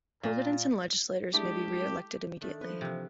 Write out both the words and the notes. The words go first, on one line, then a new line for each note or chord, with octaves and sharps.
Presidents and legislators may be re-elected immediately.
A#2
G#3 A3 D4 E4 G4
D#3 A3 D4
F3 B4
C3 E3 A#3